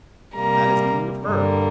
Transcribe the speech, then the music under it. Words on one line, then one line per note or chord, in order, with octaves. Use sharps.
That is the end of her.
C3 G3 A#3 A#5
G2 D3 G3 A#3